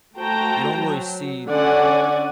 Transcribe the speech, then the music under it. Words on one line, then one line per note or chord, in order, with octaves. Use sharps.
you don't really see
A3 F#4 C5 G5 A5 A#5
F#3
D3 C#4 D5 F#5 G#5